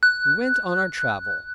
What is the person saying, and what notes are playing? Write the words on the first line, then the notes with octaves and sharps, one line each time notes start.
We went on our travel.
F#6